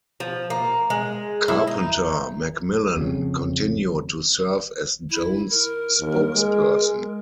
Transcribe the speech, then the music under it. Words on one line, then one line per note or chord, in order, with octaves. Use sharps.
Carpenter-McMillan continued to serve as Jones' spokesperson.
F3
A#3
G#3
E4
D#4
F2 C#3
E4
A#4
D#2
G#3